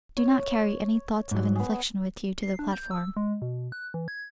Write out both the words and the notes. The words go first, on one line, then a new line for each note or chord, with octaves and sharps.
Do not carry any thoughts of inflection with you to the platform.
C#5
G#2 F#3
B3 G#4
C7
D4
G6
E6
G#3
B2
F#6
E3
G#6